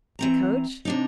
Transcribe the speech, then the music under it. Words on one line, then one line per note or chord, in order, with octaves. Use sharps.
"The coach?"
E3 C4 A#5
C3 D4 D#4